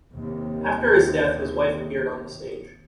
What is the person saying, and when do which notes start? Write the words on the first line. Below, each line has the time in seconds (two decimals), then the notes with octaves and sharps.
After his death his wife appeared on the stage.
0.11 D#2 C3